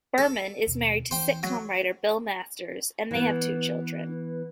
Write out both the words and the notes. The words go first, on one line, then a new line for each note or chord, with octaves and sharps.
Berman is married to sitcom writer Bill Masters and they have two children.
A4
D#2 B2
E3 C4 C5 G5
F#3
E3 B3